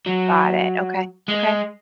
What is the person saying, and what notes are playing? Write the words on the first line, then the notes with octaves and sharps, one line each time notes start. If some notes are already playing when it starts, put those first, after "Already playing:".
Got it, okay. Okay.
F#3
G#3